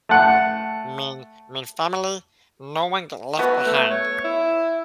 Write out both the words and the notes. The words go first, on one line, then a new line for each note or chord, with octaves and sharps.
mean mean family. No one get left behind,"
A3 F#5
F#3 B3 F#4
A3
C#5
E4